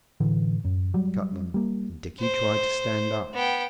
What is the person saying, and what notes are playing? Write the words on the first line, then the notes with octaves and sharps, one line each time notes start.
He cut them, and Dickie tried to stand up.
A2 D3 E3
F#2
F#3 G3
G3 A#3
C5
B3 G5